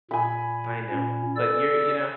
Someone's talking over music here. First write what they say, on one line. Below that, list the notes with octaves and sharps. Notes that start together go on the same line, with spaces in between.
I know. But you're you know?
A#2 G#5 B5
A#2 C#4
A4 D5 E6